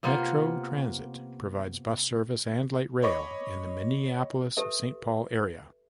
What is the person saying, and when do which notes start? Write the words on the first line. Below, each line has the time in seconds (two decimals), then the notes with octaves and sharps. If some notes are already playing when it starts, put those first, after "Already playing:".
Metro Transit provides bus service and light rail in the Minneapolis-Saint Paul area.
0.03 C3 A#3 B3 F4
3.02 C#5 D#5 B5 C#6 D6
4.57 G4 A4 B4 E5